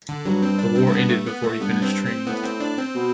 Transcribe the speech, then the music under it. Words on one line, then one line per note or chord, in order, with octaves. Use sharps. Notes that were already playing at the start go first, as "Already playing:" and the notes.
The war ended before he finished training.
D3
G2 F#3
C4
D4
C4
A3
B3
A3
B3
A3
G2 B3
C4
C4
A2 B3
C4
D4
C4
B2